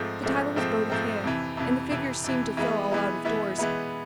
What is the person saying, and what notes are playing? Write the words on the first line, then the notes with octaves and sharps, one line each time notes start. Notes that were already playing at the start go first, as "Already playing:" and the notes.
The title was "Boadicea," and the figure seemed to fill all out-of-doors.
Already playing: G#2 F3 A3 C4
G#2 F3 A3 C4
G#2 F3 A3 C4
G#2 F3 A3 C4
F2 C3 E3
F2 C3 E3
F2 C3 E3
F2 C3 E3
E3 G#3 B3 E4
E3 G#3 B3 E4
E3 G#3 B3 E4
E3 G#3 B3 E4